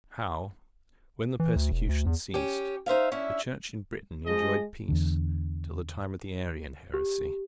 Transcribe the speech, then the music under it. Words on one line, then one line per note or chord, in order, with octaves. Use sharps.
How, when the persecution ceased, the Church in Britain enjoyed peace till the time of the Arian heresy.
E3
D2
E1
D2
E2
C#4 G4
D#4 C5 E5 F5
C#4 D4 E4 E5
F3 G#3 G#4 D#5
E2 D3
G4